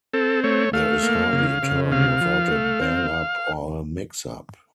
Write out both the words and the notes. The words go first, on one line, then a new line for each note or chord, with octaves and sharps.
There is hardly a turn without a bang-up or a mix-up.
C4 A4
A3 C#5
A3 F5
A#3
C#3
C#3
C3 F5
F3
A3
C4